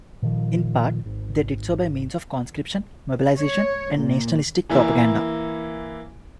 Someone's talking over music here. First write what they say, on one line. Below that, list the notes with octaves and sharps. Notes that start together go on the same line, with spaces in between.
In part, they did so by means of conscription, mobilization, and nationalistic propaganda.
A#2 D#3 F3
G#1
C#5
A#2
E3 A#3 E4